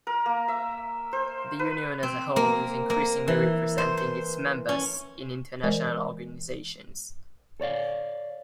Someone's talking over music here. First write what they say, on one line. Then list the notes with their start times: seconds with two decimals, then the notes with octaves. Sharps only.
The Union as a whole is increasingly representing its members in international organisations.
0.07 A#4
0.26 A#3
0.48 E5
1.13 C5
1.59 B4
2.03 C4
2.36 A#3
2.90 A#3
3.28 E3
3.78 C5
3.97 C5
4.69 C#4
5.63 E3 G#3 A#4 C5 D5 D#5
7.60 A4 C#5 D5 F5